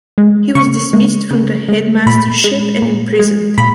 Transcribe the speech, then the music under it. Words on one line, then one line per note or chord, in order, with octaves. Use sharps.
He was dismissed from the headmastership and imprisoned.
G#3
C#3 C#6
G#3
C#3
G#3
A#2 B5
G#3
A#2
G#3
A#2 B5